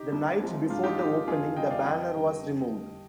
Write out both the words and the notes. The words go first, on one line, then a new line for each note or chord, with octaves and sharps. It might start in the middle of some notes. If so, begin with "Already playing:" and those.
The night before the opening, the banner was removed.
Already playing: D#4 G4
C2
C3 F3 G#3
G#2 D4 F4
D#4 G4
F4
F3 G#3 D#4 G4
F2 F4 G#4
D#3 G3 D#5 G5
D5 F5
F2 D#5 G5
D3 G3
F2
D3 G3